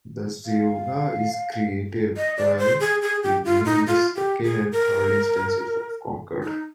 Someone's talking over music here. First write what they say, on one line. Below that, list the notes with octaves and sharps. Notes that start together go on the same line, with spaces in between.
The zeugma is created by removing the second and third instances of "conquered".
F5
D#5
D5
C5
G#4
G#4
G4
F4
D#4
F4
G4
G#4
A#4
D#4